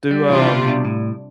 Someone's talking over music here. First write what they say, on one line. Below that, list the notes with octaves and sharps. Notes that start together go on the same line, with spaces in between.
Do, um
G3
C3 E3 G3 D4 F4
D3
B2
A2